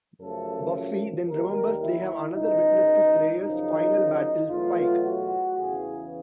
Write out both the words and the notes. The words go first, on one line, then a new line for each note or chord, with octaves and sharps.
Buffy then remembers they have another witness to Slayers' final battles: Spike.
F#2 C#3 F3 A3 A4
D#2 D#3 G3 A#4
E4
C#2 B2 G#3 D#4
F#2 C#3 F3 D#4
E2 B2 F#3 A3 F4
F#4
E2 C#3 E3 G#4